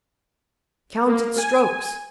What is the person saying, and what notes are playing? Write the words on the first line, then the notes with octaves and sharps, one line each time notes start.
Count its strokes.
A#3
G#5